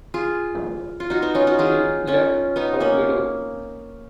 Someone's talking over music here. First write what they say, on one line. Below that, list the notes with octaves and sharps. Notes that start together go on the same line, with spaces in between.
He left a widow.
F4 G#4
F4
D#4 F#4
B3 D#4
C#4 F4
D#4 F#4
F4 G#4
C#4 F4
B3 D#4
A#3 C#4